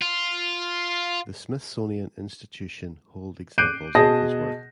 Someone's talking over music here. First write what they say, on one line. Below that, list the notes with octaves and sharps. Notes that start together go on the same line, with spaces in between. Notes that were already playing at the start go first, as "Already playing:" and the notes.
The Smithsonian Institution hold examples of his work.
F4
D6 F#6 G6 C7 D7 D#7
B2 G#4 D#5 A5 A#6